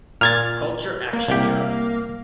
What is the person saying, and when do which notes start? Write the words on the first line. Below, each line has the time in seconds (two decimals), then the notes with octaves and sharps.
Culture Action Europe.
0.21 A#2 F6 G#6 A6
1.13 A#3
1.28 C2 G4